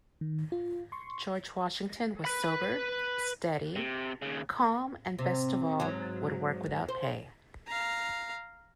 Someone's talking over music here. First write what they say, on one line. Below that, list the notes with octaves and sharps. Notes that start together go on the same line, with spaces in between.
George Washington was sober, steady, calm, and best of all, would work without pay.
D#3
F4
C6 C#6
B4 B5
C3
D#2 C#3
C3
G#2 F#3
C5
F5 A#5